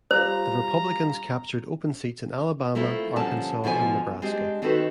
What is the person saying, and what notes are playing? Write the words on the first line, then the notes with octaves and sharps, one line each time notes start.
The Republicans captured open seats in Alabama, Arkansas, and Nebraska.
G3 F4 C5 A#5
A3 A#3 C4 E4 F4
A#2 D3 F3 G3 C#4 A5
B2 D3 F3 C5 G#5
G#3 C4 D4 G4
D#3 C4 F#4 A4 B4